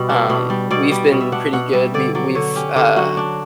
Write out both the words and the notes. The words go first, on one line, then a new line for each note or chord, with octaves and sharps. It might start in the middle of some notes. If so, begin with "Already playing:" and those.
Um, we've been pretty good, we we've, uh,
Already playing: B2 G3
D4
B2
G3
B2 D5
G3
B2
E5
D4 F#5
B2 F#5
G3 E5
D3 D5
F#3 D5
D3 C#5
C#4 G4
D3 G4
F#3 F#4
D4